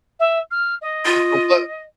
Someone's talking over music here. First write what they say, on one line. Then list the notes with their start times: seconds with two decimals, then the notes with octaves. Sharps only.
But what
0.19 E5
0.51 F6
0.81 D#5
1.05 F4